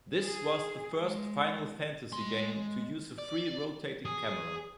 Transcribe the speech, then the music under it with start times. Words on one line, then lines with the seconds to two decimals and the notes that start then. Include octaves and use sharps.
This was the first "Final Fantasy" game to use a free rotating camera.
0.23 G#4
1.00 G#3
2.12 G#3 C6
3.18 D5
4.05 G#4